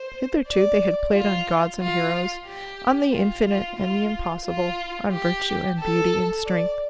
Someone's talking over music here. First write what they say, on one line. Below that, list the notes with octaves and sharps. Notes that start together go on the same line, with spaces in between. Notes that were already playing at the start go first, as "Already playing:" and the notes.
Hitherto they had played on gods and heroes, on the infinite and the impossible, on virtue and beauty and strength.
Already playing: C5
D5
F4
F4
G4
F4
F4
F4
F4
G4
A4
D5